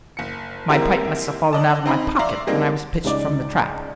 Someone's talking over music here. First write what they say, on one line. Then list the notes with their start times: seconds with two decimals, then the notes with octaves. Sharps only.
My pipe must have fallen out of my pocket when I was pitched from the trap.
0.17 F#1 C#7
0.69 G#3 A#3 C4 E4 G4 A#4
1.53 D5 D#5 A5
1.86 C4 D#4 A#5 B5
2.19 D5 E5 F5 A#5 C6 D6
2.47 G3 G#3 A#3 C4 D4 D#4
3.04 C#2 C#3 D#4 D5 D6